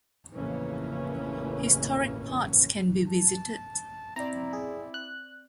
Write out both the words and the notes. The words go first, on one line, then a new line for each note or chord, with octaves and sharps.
Historic parts can be visited.
A1 F2 C#3 E3 A#3 C#4
A5
C4 E4 D5 A#5
G#4
F#6